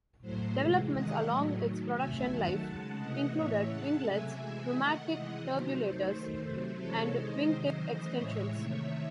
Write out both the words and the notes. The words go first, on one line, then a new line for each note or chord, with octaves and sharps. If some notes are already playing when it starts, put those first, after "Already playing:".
Developments along its production life included winglets, pneumatic turbulators, and wingtip extensions.
A2 F#3 A3 C5
C3 E3 G#3
C3 D#3 G#3 D#5 F#5
A2 F#3 A3
D#3 F#3 A3
C3 F#3 A3 E5 G#5
D#3 F#3 A3 F#5 A5
C#3 G#3
C3 E3 A3 D#5 F#5
A2 E3 A3 C#5 E5
C#3 G#3 F#5 A5
C3 F#3 A3 E5 G#5
C3 E3 G#3
D#3 A3 D#5 F#5
C3 E3 G#3
C3 D#3 F#3 A3 C5
D#3 F#3 A3
D#3 A3
C3 F#3 A3
C3 E3 G#3 A4 C#5
D#3 G#3 C5 D#5
C3 D#3 F#3
C#3 E3 A3
A2 E3 G#3 C#5 E5
C3 D#3 A3